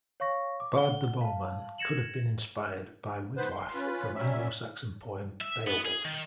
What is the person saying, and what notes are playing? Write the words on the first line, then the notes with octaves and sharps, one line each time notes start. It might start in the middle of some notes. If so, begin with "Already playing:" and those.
Bard the Bowman could have been inspired by Wiglaf from Anglo-Saxon poem "Beowulf".
C#5 F5 C#6 A#6
D6
F#5 G7
F5 A5
G#6 A#6 C#7 E7 F#7
G#2 B3 B4 C5
C6
C#4 F4 B4
F#3 G3 C#4 E5
E5
B3
G#4
D#3